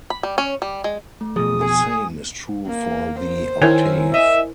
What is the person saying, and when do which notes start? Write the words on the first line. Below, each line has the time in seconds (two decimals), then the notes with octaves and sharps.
The same is true for the octave.
0.10 B5
0.23 G3
0.38 C#4
0.62 G3
0.84 G#3
1.21 A3
1.36 B2 F3 G#4 D#6
1.61 G#4 G#5
2.67 A#3
3.19 C5
3.62 D#3 E4 A#4 C#5 G5 G#5
4.14 D#5 E5